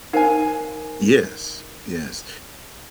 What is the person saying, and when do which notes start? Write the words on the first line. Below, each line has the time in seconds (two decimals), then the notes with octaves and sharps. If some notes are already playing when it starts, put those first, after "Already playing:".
Yes, yes,
0.13 D#4 A#4 C5 F5 G#5